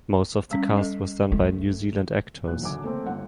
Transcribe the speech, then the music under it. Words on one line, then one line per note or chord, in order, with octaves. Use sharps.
Most of the cast was done by New Zealand actors.
G3 C#4
A4 D#5
A3
B1 E2 A#2 F#6
F#1 D3 F#3 E5 G#5 D6
A3 A#3 C4
G1 F#5